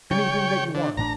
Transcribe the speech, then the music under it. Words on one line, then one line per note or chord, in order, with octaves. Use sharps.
Anything that you want.
C#3 C#5 G5
D3
A1 A2 D4 A#5